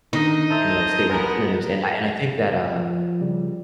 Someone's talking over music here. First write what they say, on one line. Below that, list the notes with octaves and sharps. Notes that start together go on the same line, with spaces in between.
you know, state representatives and I and I think that, uh,
D3 D#3 D#4 D#5
A4 C5 E5 A5 A#5 D#6
B3 A#4 D#5 G#5
F3
C#3 G3